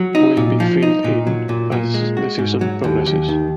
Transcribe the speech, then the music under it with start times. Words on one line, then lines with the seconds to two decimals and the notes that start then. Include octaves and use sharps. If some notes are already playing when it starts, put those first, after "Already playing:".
Will be filled in as the season progresses.
Already playing: F#3
0.15 D#4
0.37 A#2
0.60 F3
0.82 D#4
1.04 A#2
1.27 F#3
1.49 A#2
1.72 A#2
1.94 G#3
2.17 F#4
2.39 G#2
2.61 F#3
2.84 D#2
3.06 D#2
3.28 D#3